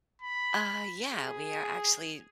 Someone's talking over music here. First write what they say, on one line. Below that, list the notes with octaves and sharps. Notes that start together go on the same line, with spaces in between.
Uh, yeah, we are actually
B5
G#4